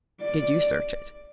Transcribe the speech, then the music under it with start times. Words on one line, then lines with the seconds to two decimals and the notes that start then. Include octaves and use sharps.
"Did you search it?"
0.22 D5